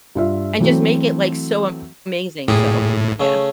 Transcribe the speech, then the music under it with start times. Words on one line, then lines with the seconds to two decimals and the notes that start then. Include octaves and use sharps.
And just make it, like, so amazing, so, yeah.
0.15 G2 F4 E5
0.60 E3 F#3 A3 C4 F#4
2.48 A2 G4 G#4
3.20 C#3 A3 C#4